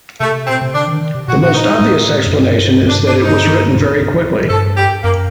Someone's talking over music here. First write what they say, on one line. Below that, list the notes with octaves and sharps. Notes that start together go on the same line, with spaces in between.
The most obvious explanation is that it was written very quickly.
C3 A3
A#2 C4
C3
D3 D4
D#3
D#3
C3
A#2 F#4
A2 F#4
A#2 D#4
A2
F#2
G2
D4
D4
D#4
G2 A4
G4
F#2 A#3